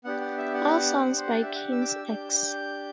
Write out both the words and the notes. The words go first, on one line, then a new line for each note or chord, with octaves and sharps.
All songs by King's X.
B3 D4 G4 F#5
F#5
E5
F#5
D4 G4
C5
D5
E5
F#5
E6
D6
E6
D4 G4 G6